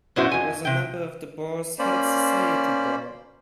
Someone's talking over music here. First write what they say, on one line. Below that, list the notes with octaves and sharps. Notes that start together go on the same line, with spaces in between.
He was a member of the Boar's Head Society there.
F#2 A#2 B3 E4 F#4 C5
F2 G#5
C3 G5
A#3 C#4 C5 D5 B5